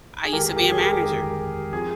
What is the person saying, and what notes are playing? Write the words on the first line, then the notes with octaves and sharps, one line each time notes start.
I used to be a manager,
G#4
G1 F2 D#3 G#3 G4 A#4
G4 A#4
G#4
G4 A#4
G1 F2 D#3 G#3 G4 A#4
F3 C4 F4 G#4